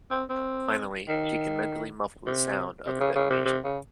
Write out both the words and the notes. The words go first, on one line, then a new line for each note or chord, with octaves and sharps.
Finally, she can mentally muffle the sound of the detonation.
C4
C4
D#3
C3
C3
C#3
C#3
C3
C3
C#3